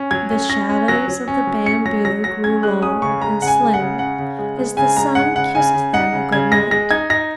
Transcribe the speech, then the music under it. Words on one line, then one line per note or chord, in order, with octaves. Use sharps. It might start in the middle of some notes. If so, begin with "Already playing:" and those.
THE shadows of the bamboo grew long and slim as the sun kissed them good night.
Already playing: C#4
F#3 G#6
C#4
C#4 A#6
C#4
F#3 A#6
F#3
C#4
F#3
C#4 C#7
F#3 A#6
F#3 A#6
F#3 A#6
C#4 G#6
G#3 F#6
C#4 D#6
C#3 C#6
G#3 A#5
C#3 F#5
G#5
G#3
F#5
C#3
C#4 F#5
C#3
G#3
G#3
C#3 G#5
G#3 A#5
G#3 F#5
C#3 F#5
C#3 G#5
C#3
D#4 F#5
C#3
C#3 G#6
G#3 A#6
G#3 A#6
D#4 G#6
D#4 A#6